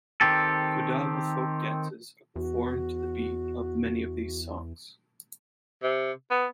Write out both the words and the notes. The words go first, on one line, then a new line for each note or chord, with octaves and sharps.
Kodava folk dances are performed to the beat of many of these songs.
D#3 C4 G4 A4
E2 F#4
C3
B3